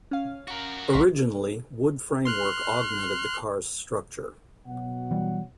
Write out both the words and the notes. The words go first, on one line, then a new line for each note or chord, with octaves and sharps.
Originally, wood framework augmented the car's structure.
C#4 F5
F#4 A#4
A#1 C6 C#6 B6
C6 F6 F#6
B2 F#3 F#5
E3 G3